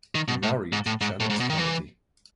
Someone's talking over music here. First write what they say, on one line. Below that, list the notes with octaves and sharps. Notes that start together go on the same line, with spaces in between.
He married Janet Kennedy.
D#3
B2
A2
G#2
A2
G#2
A2
G#2
B2
D#3
E3